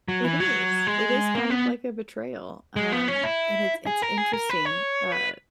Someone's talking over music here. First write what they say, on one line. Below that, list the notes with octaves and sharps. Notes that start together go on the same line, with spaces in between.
It is. It is, kind of, like, a betrayal, um, and it's it's interesting, uh,
F#3
E3
F#3
G#3
A#3
B3
G#3
B3
C#4
E4
G#4
A#4
G#4
A#4
B4
C#5
B4